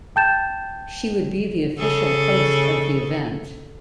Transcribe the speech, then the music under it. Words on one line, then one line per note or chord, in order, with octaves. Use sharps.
She would be the official Host of the Event.
G5 A5 G6 A6 E7
C#3 G#4 A4